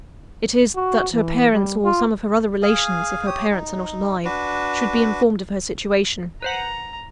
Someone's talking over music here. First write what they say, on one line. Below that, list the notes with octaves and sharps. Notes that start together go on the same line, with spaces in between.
It is, that her parents, or some of her other relations, if her parents are not alive, should be informed of her situation.
F#4
E3
G3
F4
G#4 F5 G#5
G4 C#5 D#6
D#4
D4 F#4 B4
B4 C5 F#5 A#5